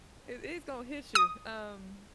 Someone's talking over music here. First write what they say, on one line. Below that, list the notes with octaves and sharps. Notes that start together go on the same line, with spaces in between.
It it's gonna hit you, um,
D#6